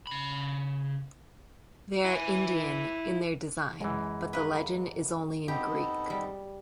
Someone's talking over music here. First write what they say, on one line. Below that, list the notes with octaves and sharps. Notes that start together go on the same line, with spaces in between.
They are Indian in their design, but the legend is only in Greek.
C#3 B5
E4 G#5
F#2 E3 G#3
A#3 B4
B3 C4 D#4 G4 A4
G3